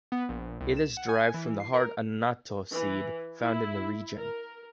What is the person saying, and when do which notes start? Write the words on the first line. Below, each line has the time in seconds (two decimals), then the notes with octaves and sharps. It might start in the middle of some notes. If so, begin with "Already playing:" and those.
It is derived from the hard annatto seed found in the region.
0.12 B3
0.29 A#1
0.60 C2
0.77 E7
0.97 F#5
1.09 G#5
1.34 E3
1.60 C7
1.74 A#4
2.70 E3
3.41 E4
4.17 A#4